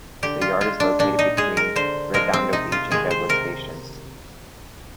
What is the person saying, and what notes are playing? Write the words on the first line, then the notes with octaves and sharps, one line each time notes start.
The Yard is located between Redondo Beach and Douglas stations.
D3 G4
F4
G#3 F4
D4
A#2 D4
D#4
G#3 G#4
A#4
D3 C5
F3 G#3 A#4
C4
C3 D#4
F4
D#3 G#3 G#4
C5
C3 A#4